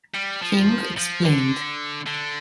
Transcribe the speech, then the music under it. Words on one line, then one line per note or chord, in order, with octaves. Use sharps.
King explained.
G3
F3
F3
D3
D3